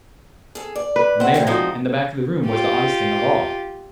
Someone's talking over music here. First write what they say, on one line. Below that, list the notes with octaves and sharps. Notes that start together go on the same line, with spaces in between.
And there in the back of the room was the oddest thing of all.
G#4 A4
D5
B4
C4 E5 F#5
F3 G3 A3
F3 G#3 D#4 F#4 F5
F4 G4